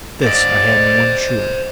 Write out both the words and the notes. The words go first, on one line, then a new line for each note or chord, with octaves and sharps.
This I had in one shoe.
C5 D5 D#5